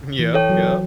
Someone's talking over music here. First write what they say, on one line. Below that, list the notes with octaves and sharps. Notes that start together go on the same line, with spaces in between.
Mhm, yep, yep.
E3
A4 C#5 G5
F#3